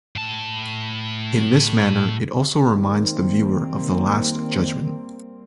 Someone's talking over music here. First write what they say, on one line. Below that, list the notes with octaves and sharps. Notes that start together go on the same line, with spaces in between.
In this manner it also reminds the viewer of the Last Judgment.
A2 A5
D#3 G3 A#3 C4